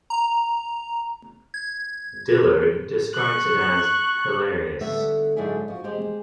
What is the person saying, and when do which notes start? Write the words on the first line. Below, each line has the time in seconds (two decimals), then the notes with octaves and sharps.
Dillard describes it as "hilarious".
0.10 A#5
1.54 G#6
3.13 C#6 F#6
4.81 D3 G3 A3 B3 B4 E5
5.37 G#2 D3 F#3 E4 G#4
5.68 F3 F#4
5.84 G#3 G4 C5